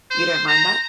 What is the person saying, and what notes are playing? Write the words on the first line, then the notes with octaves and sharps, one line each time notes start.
You don't mind that?
C5
A#5